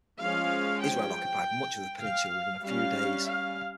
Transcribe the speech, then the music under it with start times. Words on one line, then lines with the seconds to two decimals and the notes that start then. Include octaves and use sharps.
Israel occupied much of the peninsula within a few days.
0.20 F3 G#3 C#4 F5
0.81 G5
2.03 F5
2.65 G3 C#4 F5
3.26 F5